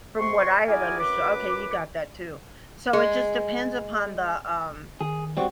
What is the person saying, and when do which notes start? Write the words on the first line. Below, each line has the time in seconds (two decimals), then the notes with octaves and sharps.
From what I had understood okay, you got that too, so, it just depends upon the, um
0.19 C3 C6 C#6
0.68 E4 F#4 G#4 A#4 D5 G#5
1.00 F#2 B4 D6
2.93 G#3
4.69 G1
5.01 D#3 G#4
5.37 G3 C4 F#4